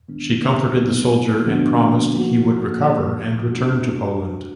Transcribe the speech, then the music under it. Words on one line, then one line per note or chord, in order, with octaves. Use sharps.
She comforted the soldier and promised he would recover and return to Poland.
D#3 G#3 B3 D4
B2 F#3 B3 D#4
D3 F3 B3 D4 F#4
F3 A#3 D#4 F#4
A#2 F3 A#3
B2 G#3 D4 F#4